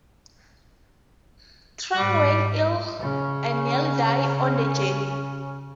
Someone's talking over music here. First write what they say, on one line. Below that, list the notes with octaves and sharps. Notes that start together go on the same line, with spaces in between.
Trang was ill and nearly died on the journey.
G#2 G3
C#3 C#4